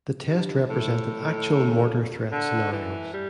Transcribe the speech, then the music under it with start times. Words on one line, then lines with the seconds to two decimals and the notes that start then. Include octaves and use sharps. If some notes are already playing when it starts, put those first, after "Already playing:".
The test represented actual mortar threat scenarios.
0.28 G2
0.69 A2
2.32 D3
2.73 E3
3.13 G3